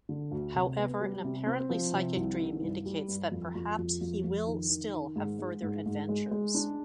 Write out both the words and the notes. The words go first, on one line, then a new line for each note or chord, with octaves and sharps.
However an apparently psychic dream indicates that perhaps he will still have further adventures.
D3
D2
C3
B3
G3
C3
C4
F3
C3
C2
D#3
G2
G3
G2
F2
F2
F2
F2
F2
D#3
D#3
D#3
G#2
G#3
G#2
G#2
G#3
G#3
D4